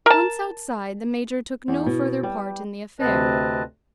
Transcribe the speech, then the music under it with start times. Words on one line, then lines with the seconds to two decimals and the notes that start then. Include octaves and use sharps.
Once outside, the major took no further part in the affair.
0.06 A#4 A5
1.68 E2
1.86 B2
2.23 G3
3.00 D2 C3 C4 B4 D#5 A5